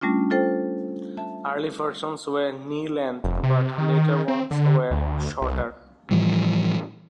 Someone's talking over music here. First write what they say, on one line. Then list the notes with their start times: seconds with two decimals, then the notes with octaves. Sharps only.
Early versions were knee-length but later ones were shorter.
0.01 G3 A3 C#4 D4 F4
0.30 F4 A4 C5 G5
1.17 E5 A5
3.24 F1
3.43 C3
3.78 D#3
4.28 C4
4.51 D3
4.91 D2
5.42 C2
6.11 A2 E3 F3 G3